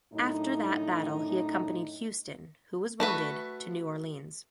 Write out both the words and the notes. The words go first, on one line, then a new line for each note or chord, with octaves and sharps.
After that battle he accompanied Houston, who was wounded, to New Orleans.
F#2 A2 D4 D#4
A3 F#4 B4